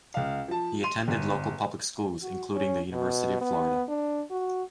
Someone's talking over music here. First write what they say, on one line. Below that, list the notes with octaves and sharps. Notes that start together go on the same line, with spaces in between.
He attended local public schools including the University of Florida.
C#2 F5
F3 A5
C6 D#7 F7
G1
F#4
C#4
B2
B3
D4
F#4